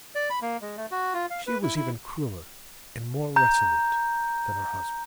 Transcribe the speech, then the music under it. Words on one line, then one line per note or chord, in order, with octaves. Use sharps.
She was even crueler and more resolute than her husband.
D5
B5
A#3
G#3
A3
F#4
F4
F5
B4
E4
E4
A#5 G6